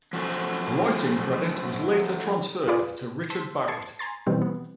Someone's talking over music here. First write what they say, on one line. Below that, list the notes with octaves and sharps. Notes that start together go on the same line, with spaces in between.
Writing credit was later transferred to Richard Barrett.
F3 F#3 A3 C#4 F#4 C5
F4 G#4 B4 D5
A5 C6 E6 B6
A5 G#6 C7 C#7
G#5 A#5 C6 A6
B2 D#3 E3 G3 C4
B3